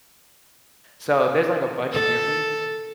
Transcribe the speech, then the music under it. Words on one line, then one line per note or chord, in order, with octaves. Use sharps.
so, there's, like, a bunch near me,
A4